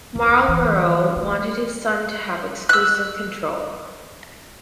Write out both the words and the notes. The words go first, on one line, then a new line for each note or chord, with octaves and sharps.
Marlborough wanted his son to have exclusive control.
E2
E3
A3
E6 F#6